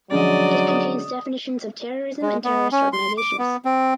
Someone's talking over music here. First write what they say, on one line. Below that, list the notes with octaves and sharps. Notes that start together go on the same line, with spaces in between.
It contains definitions of terrorism and terrorist organizations.
D3 F3 F#3 G#3 C#4 D5 D#5 A6
D#6
G#3
B3
C#4
C6
D6
B3
C4